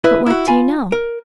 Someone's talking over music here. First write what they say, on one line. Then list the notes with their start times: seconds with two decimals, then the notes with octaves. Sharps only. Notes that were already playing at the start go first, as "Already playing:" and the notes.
But what do you know?
0.04 E4 B4 D#5
0.26 E4 F#4
0.47 F4 G#5 B5
0.92 A#4